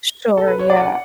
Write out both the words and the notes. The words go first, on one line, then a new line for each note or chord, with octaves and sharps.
Sure, yeah.
A4
B4
C#5
D5
F#5